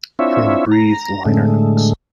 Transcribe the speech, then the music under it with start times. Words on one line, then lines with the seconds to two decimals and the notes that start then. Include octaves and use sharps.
From "Breathe" liner notes.
0.19 C4 D4 E4 F4 C#5 E5
0.71 A#5
1.25 A2 D3 G#3 A3